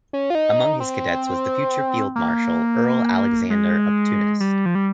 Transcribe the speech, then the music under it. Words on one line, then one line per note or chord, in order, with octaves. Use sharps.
Among his cadets was the future Field Marshal Earl Alexander of Tunis.
C#4
F4
D#4
C4
A#3
G#3
G3
F3
G3